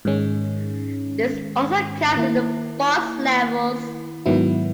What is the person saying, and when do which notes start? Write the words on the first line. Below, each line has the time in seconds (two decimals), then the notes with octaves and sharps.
This also counts in the Boss levels.
0.05 G#2 D#3 G#3 C#4
2.16 D#3 A#3 E4
4.26 G#2 D#3 F#3 B3 E4